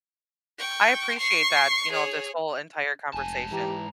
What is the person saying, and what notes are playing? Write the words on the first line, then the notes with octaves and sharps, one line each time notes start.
I appreciate that, you know, this whole entire conversation.
G5 C#6
C#6 C7
G#4 C#5
F1 G#2 G#5 A5
E3 G4 A#5